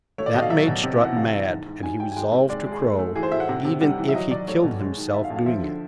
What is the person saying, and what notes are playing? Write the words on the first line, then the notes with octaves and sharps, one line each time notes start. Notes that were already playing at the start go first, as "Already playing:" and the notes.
That made Strut mad, and he resolved to crow, even if he killed himself doing it.
A3 C#5
D5
B2 D#5
F5
F#3 E5
B2
C3
E3 F#5
C3 F5
E3
G#2
G#2
G#2 G#5
G#2 G5
G#5
G#3 G5
C3
G#3 D5
G#3
G#4
A3
A3
E3 G#4
C5
A2 E5
F#5
C3
C3
G3 F#5
E3
E5
F#3 D#5
F#3 D5
A3 C#5
B2
G#3
D#3
D#3 E5
F5
F2
F5
F3 E5
D3